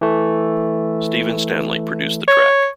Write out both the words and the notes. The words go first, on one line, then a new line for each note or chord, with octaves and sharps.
Steven Stanley produced the track.
E3 A3
C#5